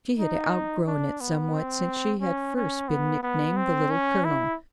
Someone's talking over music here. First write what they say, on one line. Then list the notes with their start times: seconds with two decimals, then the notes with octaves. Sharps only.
She had outgrown it somewhat since she had first been nicknamed the Little Colonel.
0.19 D#4
0.87 D4
1.21 B3
1.54 C4
2.21 C#4
2.56 C#4
2.89 B3
3.23 B3
3.57 C4
3.91 C#4
4.25 E4